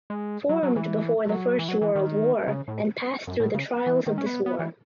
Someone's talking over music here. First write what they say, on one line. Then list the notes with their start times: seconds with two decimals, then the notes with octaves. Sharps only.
Formed before the First World War and passed through the trials of this war.
0.10 G#3
0.49 F#3
0.63 F#3
0.76 E3
1.29 F#3
1.59 E3
1.68 F#3
1.81 E3
1.95 D#3
2.47 C#3
2.68 A2
3.27 F#2
3.40 A2
3.54 C#3
3.86 E3
4.06 D#3
4.18 C#4
4.26 B3
4.46 B3
4.59 E3